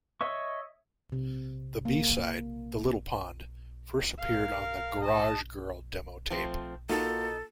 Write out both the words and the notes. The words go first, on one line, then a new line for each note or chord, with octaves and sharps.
The B-side, "The Little Pond" first appeared on the "Garage Girl" demo-tape.
C#5 D#5 E5 C#6
C3
A#3
A#4 F5
D#5 A5
F3 A3 C4
A#3 D#4 F4 F#4 A4